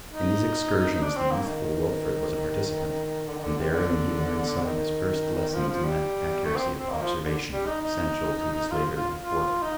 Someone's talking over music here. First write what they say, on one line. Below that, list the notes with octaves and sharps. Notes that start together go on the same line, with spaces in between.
In these excursions the youthful Wilfred was a participant, and therein he learned some of his first lessons in that accuracy of observation essential to his later life work.
D#4
D4
C4
A#3
D#3
D3
D#3
D3
C3
D#3
D3
D#3
F3
F3
G3
A3
C4
C4
A#3
F3
D3
G3
D#4
D#4
F4
F4
F4
D#4